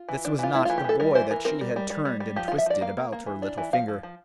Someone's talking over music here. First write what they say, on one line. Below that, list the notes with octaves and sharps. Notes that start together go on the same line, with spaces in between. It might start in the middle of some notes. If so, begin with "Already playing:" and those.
This was not the boy that she had turned and twisted about her little finger.
Already playing: F4
E3
D4
E3 F4
A3 E4
E3 F4
G4
E3 A4
G3 A#4
E3 C5
E3 A#4
C4 A#4
G3
G3
G3
G3
G3
F3 G4
F3 F4
E5
F3 D5
A#3 F5
A#3
A#3
E3
D4
E3
F3 F5
F3
F3